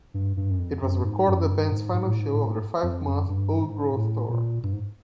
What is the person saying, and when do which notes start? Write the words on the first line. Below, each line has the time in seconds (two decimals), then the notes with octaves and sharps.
It was recorded at the band's final show of their five-month "Old Growth" tour.
0.14 G2
0.37 G2
0.50 F#2
0.59 F2
0.82 F#2
1.04 G#2
1.26 F#2
1.49 G2
1.71 G#2
1.93 G#2
2.06 A2
2.19 G#2
2.32 A2
2.46 G#2
2.83 F2
3.05 F#2
3.29 G2
3.61 G#2
3.95 A2
4.29 A#2
4.63 G2
4.73 G#2